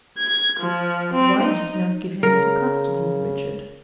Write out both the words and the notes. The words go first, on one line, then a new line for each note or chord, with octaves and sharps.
"Why did you not give him into custody, Richard?"
G#6
F3
C4
D#4
C#3 A#4